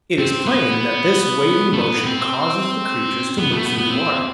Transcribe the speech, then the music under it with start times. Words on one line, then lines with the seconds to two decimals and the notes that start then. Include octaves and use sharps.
It is plain that this waving motion causes the creatures to move through the water.
0.18 C4
0.46 B3
1.73 A3
1.78 B3
2.06 C4
3.38 B3
3.52 A3
3.65 B3
3.78 B3
3.91 C4